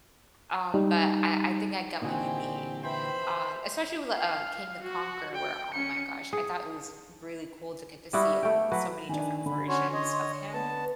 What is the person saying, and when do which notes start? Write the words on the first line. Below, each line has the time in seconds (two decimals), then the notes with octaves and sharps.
um, but I I think I get what you mean, um, especially with, uh, King the Conqueror where oh my gosh, I thought it was really cool to get to see, um, so many different versions of him,
0.74 G3 D#4
2.02 A#2 D3 E3 C4 D#4 F#4 G4 G#5
2.83 B4 C5 E5 G5 B5
4.14 F5
4.83 F#4
5.35 G5
5.74 C#4 C#7
6.33 G#4
8.13 G3 B3 E4 F#4
8.43 A3 G5
8.72 F#3 B4
9.09 D#3 D4 G#5
9.46 D3 B5
9.68 C#4 F#4 C#5 C6
9.93 C#5 D#5
10.53 B3 B4 A5